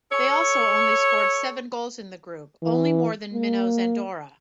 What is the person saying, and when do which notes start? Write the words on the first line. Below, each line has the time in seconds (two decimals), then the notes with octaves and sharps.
They also only scored seven goals in the group, only more than minnows Andorra.
0.12 A4 C#5
2.63 E3
3.33 A#3